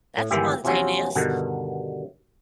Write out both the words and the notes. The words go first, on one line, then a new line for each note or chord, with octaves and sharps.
that's spontaneous.
A2
G1 D#3 E3 G#3 G4 E5
E2 C3 F3 F#3 C4 C#4
G2 B2 D3 D#3